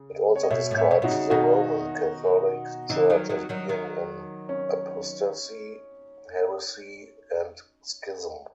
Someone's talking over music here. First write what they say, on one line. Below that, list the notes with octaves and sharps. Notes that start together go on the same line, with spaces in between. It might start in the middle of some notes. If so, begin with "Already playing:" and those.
It also describes the Roman Catholic Church as being in apostasy, heresy, and schism.
Already playing: C#3
C#5
D#5
B2 C#5 E5
A2
C#5 E5
B2
B2 D#4 F#4
C#3
B2 D#3 D#4 F#4
C#3 E3 D#4
D#3 F#3
D#3 F#3
D#3 F#3
D#3 F#3
C#4